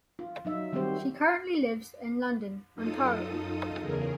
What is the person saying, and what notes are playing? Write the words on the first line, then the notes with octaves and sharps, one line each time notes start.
She currently lives in London, Ontario.
F4
F#3 D#4 E5
D#3 G3 C4 F#4 G4 C5
F#2 D#4 F4 A4 D#6
E2 C#3 G#4 A#4